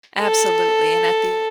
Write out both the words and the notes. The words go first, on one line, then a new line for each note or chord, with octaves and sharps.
Absolutely, and at the
A4